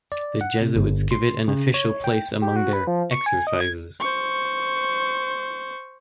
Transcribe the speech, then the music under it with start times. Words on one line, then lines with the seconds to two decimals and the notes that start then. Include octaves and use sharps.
The Jesuits give it an official place among their "exercises".
0.12 D5
0.41 F#5
0.61 C3
0.76 G1
1.11 C6
1.48 C#3
1.74 C#5
2.04 G5
2.42 G4
2.56 F#4
2.73 B4
2.87 F3
3.11 C#6
3.26 G#5
3.47 D#5
3.61 G#6
4.00 C5 C#6